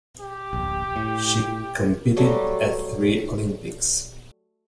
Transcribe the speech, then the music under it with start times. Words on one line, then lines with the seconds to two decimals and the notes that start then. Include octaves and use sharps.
She competed at three Olympics.
0.20 G4
0.53 D1 A#1
0.96 A2
2.17 F#3 G3 A3